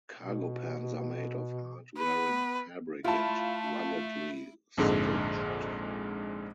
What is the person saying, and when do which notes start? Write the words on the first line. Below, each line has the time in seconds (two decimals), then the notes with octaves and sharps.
Cargo pants are made of hard wearing fabric and ruggedly stitched.
0.19 B2
1.98 B3 B4
3.04 A3 E4 F4 A5
4.77 A#1 F2 G#2 D3 G#3